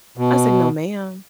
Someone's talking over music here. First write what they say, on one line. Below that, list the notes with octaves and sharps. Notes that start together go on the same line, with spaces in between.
I said, "No, ma'am."
B2